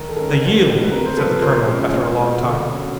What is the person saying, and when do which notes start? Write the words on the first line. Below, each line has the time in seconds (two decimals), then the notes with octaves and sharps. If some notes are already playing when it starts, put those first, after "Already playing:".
"They yield," said the colonel, after a long time.
Already playing: D#3 A#4
0.08 A4
0.16 G#3 C#4 A#4
0.41 D3 A4
0.66 G3 B3 D4
0.84 B4
0.92 C3 A#4
1.06 C5
1.17 F3 A#3 A4 B4
1.42 F3 A#4 C5
1.67 G#3 C#4
1.93 A#2
2.17 F#3 B3
2.42 D3
2.67 F#3 A#3 C#4